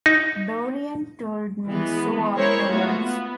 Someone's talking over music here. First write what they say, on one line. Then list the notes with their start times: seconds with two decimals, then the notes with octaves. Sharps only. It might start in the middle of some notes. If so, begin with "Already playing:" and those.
Dorian told me so afterwards.
0.06 D#4
1.68 E3 G#3 B3
2.37 G#3 C#4 E4 A#4 C5 C#5
2.68 A3 B3 F4 F#4
3.01 B3